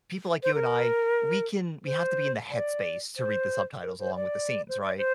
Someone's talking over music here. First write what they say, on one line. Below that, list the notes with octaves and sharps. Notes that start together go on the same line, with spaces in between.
people like you and I, we can we have to be in the headspace to read the subtitles along with the scenes, right?
C5
A#4
C5
D5
C5
A#4
C5
D5
C5
D5
C5